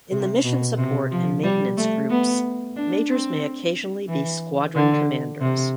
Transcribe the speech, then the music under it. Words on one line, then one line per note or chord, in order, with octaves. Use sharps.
In the mission support and maintenance groups majors may occasionally be squadron commanders.
C3
B2
C3
F3
G3
A3
B3
D4
C4
E3
D3
C3